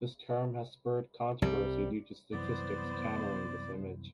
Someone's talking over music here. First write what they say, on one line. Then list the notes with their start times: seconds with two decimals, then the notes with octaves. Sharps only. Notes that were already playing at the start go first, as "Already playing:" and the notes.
This term has spurred controversy due to statistics countering this image.
1.42 C2 G3
2.32 C2 F#2 E3 B3 C5 D5